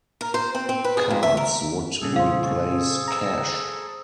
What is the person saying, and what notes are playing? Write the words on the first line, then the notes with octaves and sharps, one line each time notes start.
Cards would replace cash.
A#4
C5
C4
C4
B4
G#4
F2
E5
A#4
G2 A#2 C#3 G#4 A4
C5 F5 C6
A#5 E6